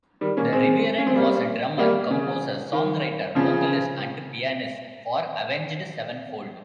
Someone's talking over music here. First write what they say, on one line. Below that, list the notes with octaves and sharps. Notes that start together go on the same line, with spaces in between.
The Reverend was a drummer, composer, songwriter, vocalist and pianist for Avenged Sevenfold.
D#3 G3
A#3 C#4
G#3 C4
C#4
C4
G3 A#3
G3 A#3
C#3
D#3
C#3 F3